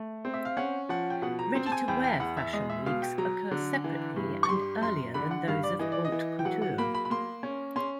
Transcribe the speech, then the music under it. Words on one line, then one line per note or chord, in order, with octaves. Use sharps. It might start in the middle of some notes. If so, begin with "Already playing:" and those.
Ready-to-wear fashion weeks occur separately and earlier than those of "haute couture".
Already playing: A3
C4
E5
F5
C#4 F#5
F3 F#5
G5
B2 F#5
A#5
C4
A5
G#5
E2 G5
G5
E2 F#5
E5
G#3 D#5
E5
B2 F5
G5
F#3 A#5
D3
E3
G2
C#6
G3 C6
F#2 C6
D3 B5
F#5
G2 F5
D5
E3 D#5
D5
D#5
E3
G5
F#3 F#5
F#5
A#3 B5
B5
B5
A#3 C6
C#4
C#4 C6